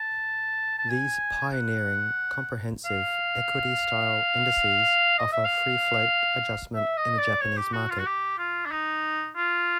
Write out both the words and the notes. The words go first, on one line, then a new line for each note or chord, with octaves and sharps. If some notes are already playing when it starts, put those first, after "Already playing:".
These pioneering, comprehensive, equity style indices offer free-float adjustment in the Japanese market.
Already playing: A5
A5
G#5
F#5
F5
D#5
E5
F5
E5
D#5
D5
C#5
G4
F#4
F4
F#4
G4
F4
D4
D#4
F4